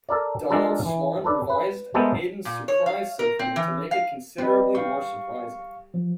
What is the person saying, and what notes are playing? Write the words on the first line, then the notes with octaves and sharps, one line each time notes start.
Donald Swann revised Haydn's "Surprise" Symphony to make it considerably more surprising.
A4 A#4 D5
G#3 D4 F4 A4 A#4
E3
A4 B4 D5
B4
G#3 A3 B3 A4 A#4 C5
A#2
C#5
F5
A#4
C4
E3
F5
G3 C4 B4 D#5
F5 G5 C#6
F3